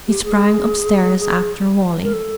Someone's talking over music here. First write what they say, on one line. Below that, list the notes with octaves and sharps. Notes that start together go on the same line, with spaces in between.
He sprang upstairs after Wally.
G4
G#4
G#4
A#4
A4